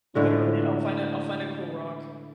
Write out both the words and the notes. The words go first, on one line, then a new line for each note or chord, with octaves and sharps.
Literally, I'll find a I'll find a cool rock.
A2 D3 G#3